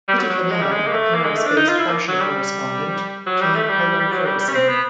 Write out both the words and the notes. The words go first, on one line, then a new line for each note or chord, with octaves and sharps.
Kitty Cannell, a Paris-based fashion correspondent, became Helen Ferguson.
G3
F#3
F#3
G#3
G3
G#3
A#3
A3
A#3
G#3
A3
D4
D#4
F4
E4
A#3
F#3
G3
F#3
G3
A3
G3
G3
F#3
G3
G3
C#4
C4
B3